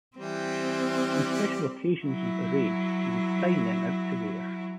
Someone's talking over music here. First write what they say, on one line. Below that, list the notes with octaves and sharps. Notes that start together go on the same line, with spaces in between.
On special occasions and parades he would sign them out to wear.
E3 G3 C4
F#3 E4